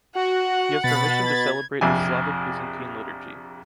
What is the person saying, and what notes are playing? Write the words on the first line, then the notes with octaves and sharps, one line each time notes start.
He has permission to celebrate the Slavic-Byzantine liturgy.
F#4 F#5
B2 B5 A6
G#6
A#1 F2 C3 G#5